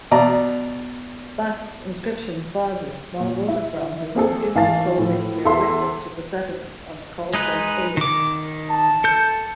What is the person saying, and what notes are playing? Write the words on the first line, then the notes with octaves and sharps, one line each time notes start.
Busts, inscriptions, vases, small votive bronzes and funeral clothing bear witness to the settlements on the Col Sant’Elia.
B2 D5 A#5
A#2
E4
A#3 C4 G#4 A4
G#1 E3 F5 G#5 A5 A6
A2 F3
E2 A4 E5 C6
G#3 D#4 B4
D#3 D6
A5
A4 G6